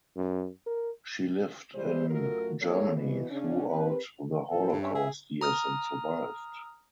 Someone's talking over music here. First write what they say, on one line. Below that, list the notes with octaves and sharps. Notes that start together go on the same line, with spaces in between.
She lived in Germany throughout the Holocaust years and survived.
F#2
A#4
E3 G3 G#3 E4 G4 C5
F#2 A3 F4 F#4 A#4
D#2 F3 A#3 A4 C#5
B2 E3 B3
C#3 C#4 D4
C4 G4 A#4 B4
A#2 E3 A4
G2
C#4 C#5 E5
G#4 E5 E6
A#5 D#6 F6